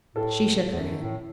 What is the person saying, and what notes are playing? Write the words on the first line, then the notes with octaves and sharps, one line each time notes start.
She shook her head.
A2 A4
E2
F#2
A2